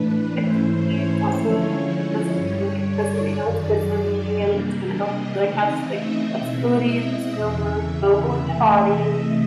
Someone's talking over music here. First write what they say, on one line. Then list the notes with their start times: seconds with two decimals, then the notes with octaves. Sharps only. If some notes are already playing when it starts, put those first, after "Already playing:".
activity, it's also because I'm doing it because of you know, it's good for me and it's gonna help me, like, have s like, more flexibility and just feel more mobile in my body,
Already playing: A2 E3 A3 D4 B4
0.34 G#2 E3 A3 C#4 E4 C5
0.84 C#5
1.35 D3 F3 G#3 C#4 E4 C#5
2.35 G2 D3 G3 C#5
2.86 D5
3.35 F#2 D#3 F#3 D5
4.36 C3 E3 G3 A#3 D4
4.86 D#5
5.36 C#3 E3 A3 C4 D#4
5.86 E5
6.37 B2 G#3 C4 E4
6.86 D#5
7.37 E2 C#3 E3 E5
7.86 E5
8.37 C3 E3 A3
8.87 D#5